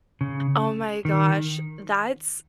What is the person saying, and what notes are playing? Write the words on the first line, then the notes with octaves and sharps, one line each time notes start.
Oh my gosh, that's
C#3
D#3